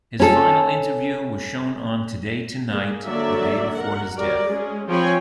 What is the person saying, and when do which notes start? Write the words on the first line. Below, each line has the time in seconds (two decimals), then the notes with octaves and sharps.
His final interview was shown on "Today Tonight" the day before his death.
0.20 C#4 A4
2.69 A#3 G#4
3.05 D3 F#3 A#3 D5 E5
3.75 A#4 F#5
4.15 F#3 G3 F#4 A#4 D5
4.46 G#3 C#4 G#4
4.88 F3 C4 C#5 G5 G#5 B5